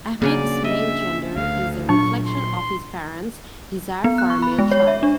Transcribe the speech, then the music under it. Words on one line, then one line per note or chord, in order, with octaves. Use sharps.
Ahmed's male gender is a reflection of his parents' desire for a male child.
C#3 F#3 A#3 C#4 D4 D5 G#5
D#5 E5
D2 F5
A#2 F#3 D4 C#6
C6
B3
F#6
C#6
B5
G#3
C#5
E5
D4